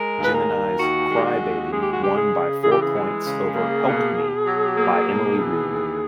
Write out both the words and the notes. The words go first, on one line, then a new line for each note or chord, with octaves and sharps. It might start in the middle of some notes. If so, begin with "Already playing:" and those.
Jemini's "Cry Baby" won by four points over "Help Me" by Emily Reed.
Already playing: G#3 A#4
D#2 B4
A#4
D#2
D#3 F#4
G#3 G4
F#4
D#2
G#3 G#4
G4
F#4
C#3 G4
G#4
C#3
E3 G#4
G4
G#4
G#3
C#3
A#3
B2
B2
F#3
A#3
B2
E3
D#2